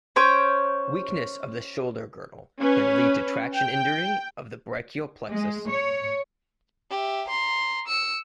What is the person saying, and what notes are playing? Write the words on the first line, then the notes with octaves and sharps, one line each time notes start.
Weakness of the shoulder girdle can lead to traction injury of the brachial plexus.
C#4 C5 C#5 G5
C#4 B4
G5
G#3
C#5
G4 E5
A#5 C6
E6 C#7